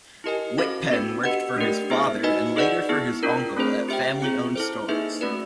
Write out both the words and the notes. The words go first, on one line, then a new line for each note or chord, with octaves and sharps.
Wittpenn worked for his father, and later for his uncle, at family-owned stores.
E4 G4 A#4 D#5 G#5
C#4 F#4 A4 C5 F5
B3 D4 F#4 B4
G4 B4 D#5 F#5
A3 D4 G4 A#4
B3 E4 G#4 C5 E5
D#4 F#4 B4 D#5 G#5
D#4 G#4 B4 D5 F#5
B3 E4 G#4
D4 F4 A#4
A3 C4 F4 G#4 C5
G4 C5 E5 G5
C4 F4 G#4
E4 A4 C5
A#3 D#4 G#4 B4 E5
A3 C#4 F#4 B4 D5